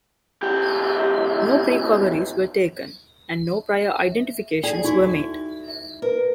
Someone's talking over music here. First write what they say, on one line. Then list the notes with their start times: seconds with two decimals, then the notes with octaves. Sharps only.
No precoveries were taken, and no prior identifications were made.
0.42 B1 G4
4.12 E5
4.63 G#4 A4 D5 G5
4.84 D#4 E4 F#4 C#6
5.68 E5
6.02 A#4 B4